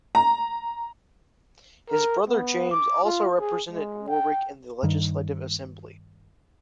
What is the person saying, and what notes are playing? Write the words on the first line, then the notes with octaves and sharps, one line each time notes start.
His brother James also represented Warwick in the legislative assembly.
A#5
A#4
B3
D6
F4
G#4
G#3
G5
G2 D#3